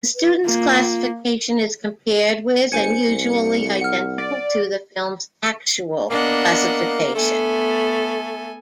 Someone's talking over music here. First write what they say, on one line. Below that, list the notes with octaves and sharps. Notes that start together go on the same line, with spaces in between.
The students' classification is compared with, and usually identical to, the film's actual classification.
B4
A#3 F4
G1 C5 G#5 G#6 C#7
C2
F#5 F6
D5
A#3 B3 D4 D#5 F#5
A3 B3 A4 G#5